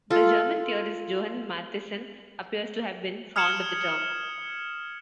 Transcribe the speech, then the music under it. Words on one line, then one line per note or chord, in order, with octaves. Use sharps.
The German theorist Johann Mattheson appears to have been fond of the term.
F4 A4
D#6 F6 G#6 C#7 E7 F#7